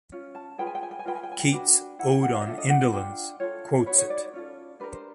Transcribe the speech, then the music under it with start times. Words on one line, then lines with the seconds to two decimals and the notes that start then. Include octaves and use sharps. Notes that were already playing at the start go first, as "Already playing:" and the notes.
Keats' "Ode on Indolence" quotes it.
0.12 C#4 F4
0.35 A5
0.58 F4 G#4 B4 G5
0.67 G#5
0.75 G5
0.83 G#5
0.91 G5
0.99 G#5
1.06 F4 G#4 B4 G5
1.15 G#5
1.23 G5
1.32 G#5
1.39 G5
1.52 D4 F#4 B4
1.99 E4 A4 F#5
2.12 G5
2.23 F#5
2.35 F5
2.41 D#5
2.46 D4 F4 A4 E5
2.58 D#5
2.70 F#5
2.93 D4 F4 G5
3.40 F4 A4 C#5
3.86 D#4 F#4 B4 C#5
3.98 C#5
4.10 D5
4.34 C#4 F4 A4
4.80 D4 G4 A#4 B4
4.92 C5